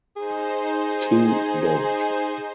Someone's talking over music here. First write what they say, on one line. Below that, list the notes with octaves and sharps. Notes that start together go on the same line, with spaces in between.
Two don’t.
D#4 G#4 C5